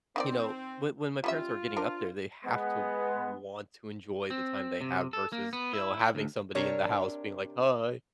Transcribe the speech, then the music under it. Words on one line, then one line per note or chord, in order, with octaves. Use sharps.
you know, when when my parents are getting up there, they have to want to enjoy the time they have versus, you know, having somebody in the house being like, "Hi,
D#3 C4 F#4 D5
G3 C#4 F4 E5
D4 A#4 C5
G#3 B3
C4
C3
A4
A#3
B3
E4
D2
C3 D4 A#4 C#5